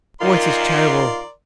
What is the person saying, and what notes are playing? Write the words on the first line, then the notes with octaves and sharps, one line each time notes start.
Oh, it is terrible!
F#2 D#3 F4 A#4 D5 C6